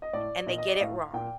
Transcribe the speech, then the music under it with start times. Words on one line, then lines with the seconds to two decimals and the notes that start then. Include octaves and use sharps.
and they get it wrong,
0.02 D#5
0.13 A2 D5
0.46 A#2 D#5
0.58 D#5
0.69 D5
0.75 D#5
0.80 A2 F5
1.13 A#2 G5